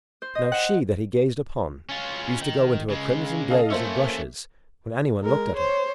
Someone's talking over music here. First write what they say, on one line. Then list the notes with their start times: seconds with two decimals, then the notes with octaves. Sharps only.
Now she that he gazed upon used to go into a crimson blaze of blushes when any one looked at her.
0.22 C5
0.35 D#5
0.52 F#5
1.89 C#4 F4
2.41 D#3
2.90 C#3 G#3
3.50 A4 D#5 F5
3.70 A3 A#3 C#4 C5 E5
5.22 G#3 A#4
5.55 C5 C#5